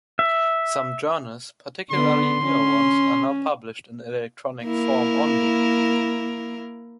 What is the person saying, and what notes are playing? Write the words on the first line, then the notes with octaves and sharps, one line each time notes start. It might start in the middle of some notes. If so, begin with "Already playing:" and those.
Some journals, particularly newer ones, are now published in electronic form only.
E5
D3 B3 C6
C#4
A#3 E4 A#4